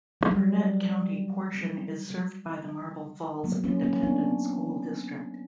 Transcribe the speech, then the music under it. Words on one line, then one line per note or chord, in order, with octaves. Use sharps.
The Burnet County portion is served by the Marble Falls Independent School District.
F#3
G3
F#3 A#3
A#3 C#4
A#3 C#4
B3 D4